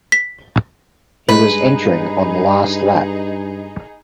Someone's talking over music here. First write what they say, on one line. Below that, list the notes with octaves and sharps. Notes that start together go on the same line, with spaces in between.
He was entering on the last lap.
B6
G2 G#3 D#4 G#4 B4